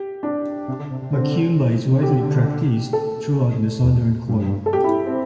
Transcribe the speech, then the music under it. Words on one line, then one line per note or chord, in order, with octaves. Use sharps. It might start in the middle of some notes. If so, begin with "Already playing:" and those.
Macumba is widely practiced throughout the Southern Cone.
Already playing: G4
D4
C3
D3
C3
C3
D3 C4
C3
D3 G4
A4
E2
G2
A4
G4
E4
C4